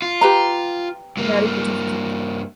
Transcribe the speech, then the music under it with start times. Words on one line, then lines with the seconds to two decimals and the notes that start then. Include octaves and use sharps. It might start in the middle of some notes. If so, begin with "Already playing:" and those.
Mary put her foot into it.
0.02 F4
0.21 G4 B4 A#5
1.17 G2 A#3